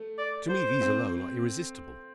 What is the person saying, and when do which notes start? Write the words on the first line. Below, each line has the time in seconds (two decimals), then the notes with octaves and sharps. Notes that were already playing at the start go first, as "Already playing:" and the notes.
To me these alone are irresistible.
Already playing: A3
0.18 D5
0.49 C5
0.81 C4